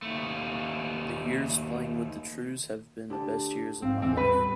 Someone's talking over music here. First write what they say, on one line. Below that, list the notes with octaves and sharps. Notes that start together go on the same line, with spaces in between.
The years playing with the Trews have been best years of my life.
D#2 A3
D2 D4 G4 A5
A#1 G#2 C4 F5
E2 A2 D3 E3 C4 G5
G3 B4